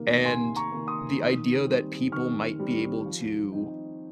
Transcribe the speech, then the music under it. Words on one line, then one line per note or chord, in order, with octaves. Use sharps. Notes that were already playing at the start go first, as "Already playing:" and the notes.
and the idea that people might be able to,
Already playing: C3 D#3 A#3
C3 G#5 C6
A#5 C#6
D#3 A#3
C6 D#6
D#3
G3 C4
D#3 C#6 F6
G3 C4
F3
C4 D#4